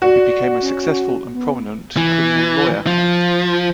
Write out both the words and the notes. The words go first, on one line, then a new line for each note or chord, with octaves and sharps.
He became a successful and prominent criminal lawyer.
F#4 D5
C#4
B3
E3
F3